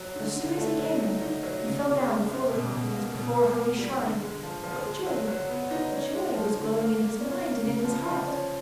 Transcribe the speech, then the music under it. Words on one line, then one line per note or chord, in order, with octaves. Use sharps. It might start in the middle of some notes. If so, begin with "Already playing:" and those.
As soon as he came in, he fell down before the coffin as before a holy shrine, but joy, joy was glowing in his mind and in his heart.
Already playing: F#3
D3
D3
A3
F#3
D#4
D#4
F#3
C#3
C#3
G#3
F#2
B2
B2
A#3
B2
A#3
A#3
G3
D3
G#3
F3
F3
G#3
F#3
F#3
B3
D#4
C#4
G#3
F3
D3
A#3
A#3
C#4
A#3
C#3
F3
F3
C#4